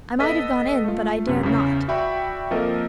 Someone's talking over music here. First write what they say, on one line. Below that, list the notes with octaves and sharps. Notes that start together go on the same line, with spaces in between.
I might have gone in, but I dared not.
B3 A4 D#5 B6
A3 F4
F#2 C3
E2 C#3
F#4 D5 E5 G5 B5
F3 A#3 C4 A4 A#4 D#5